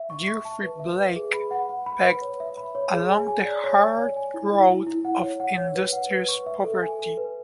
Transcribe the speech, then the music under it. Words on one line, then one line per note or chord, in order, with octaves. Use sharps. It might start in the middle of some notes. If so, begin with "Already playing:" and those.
Geoffrey Blake pegged along the hard road of industrious poverty.
Already playing: E5
C#6
C#6
A5
B4
E5
B4
G#4
B5
F#5
F#5
B5
B4
C#5
E5
B5
C#5
G#4
G#5
G#5
D5
C#5
G#5
C#5
G#5
E4
E4
E4
E4
F#5
C#5
F#5
C#5
B4
F#5
B4
C#6
E5
A4
G#5
A4
B4